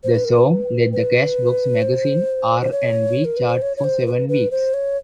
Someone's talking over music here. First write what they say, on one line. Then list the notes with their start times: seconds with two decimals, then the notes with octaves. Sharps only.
The song led the "Cashbox" magazine R and B chart for seven weeks.
0.04 C5
0.14 B4
0.25 A#4
0.35 B4
0.92 B4
1.82 C5
2.61 C5
2.72 C#5
3.25 A#4
3.37 B4
3.49 C5
3.62 C#5
3.77 C#5
3.84 C5
4.07 B4
4.29 B4
4.51 C5
4.74 C#5